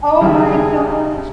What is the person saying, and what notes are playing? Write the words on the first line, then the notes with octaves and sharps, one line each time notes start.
Oh my gosh.
D#2 C#3 G3 G#4 E5 F6